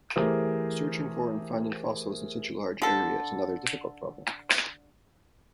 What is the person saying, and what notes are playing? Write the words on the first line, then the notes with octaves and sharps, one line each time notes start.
Searching for and finding fossils in such a large area is another difficult problem.
E3 A3 G4 G#4 A#4 C5
D3 A4